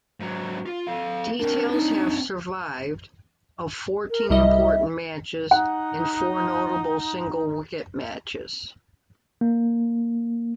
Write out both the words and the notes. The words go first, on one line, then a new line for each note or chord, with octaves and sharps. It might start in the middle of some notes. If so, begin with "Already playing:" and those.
Details have survived of fourteen important matches and four notable single wicket matches.
G#2 F#3
F4
A4 F5
C4 D4 A#4
D#4
A#4
C2 G3 D#5 E5
D#4 F#5
A#3